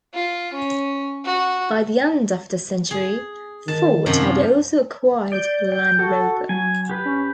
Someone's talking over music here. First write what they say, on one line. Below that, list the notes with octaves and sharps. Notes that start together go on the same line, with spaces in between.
By the end of the century, Ford had also acquired Land Rover.
F4
C#4
F#4
G#4
D#3 A5
F#2 C3 F3
D5 G6
G5
F#4 A4
F#3 G#5
G4 B4
C#4